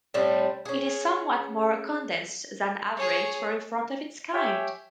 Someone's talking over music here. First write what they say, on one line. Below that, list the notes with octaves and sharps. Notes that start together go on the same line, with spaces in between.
It is somewhat more condensed than average for a font of its kind.
A2 G3 C4
C#4 G#4
G#4 C#5
G4 C#5 E5 G5 G#5